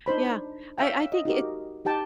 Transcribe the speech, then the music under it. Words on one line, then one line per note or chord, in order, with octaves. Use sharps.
yeah, I I think it's
D4 D#4 C5 B5
C#5 E5 F5 G5
D#5
D#4 F#4 G4 A#4
D#4 G4 G5 A5